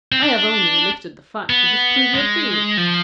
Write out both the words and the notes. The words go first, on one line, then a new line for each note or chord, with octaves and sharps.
I have only elicited the fact to disprove your theory.
C4
D4
B3
G#3
F3